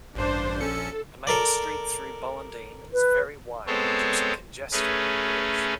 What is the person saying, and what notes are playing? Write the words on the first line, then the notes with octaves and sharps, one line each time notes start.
The main street though Ballindine is very wide reducing congestion in the village.
A1 G2 D4 C5
A#1 C#4 A4 C#7
A4 A#4 D5
B4
G#3 B3 C4 A4 C5 C#5
A3 C#4 G#4 A#4 B4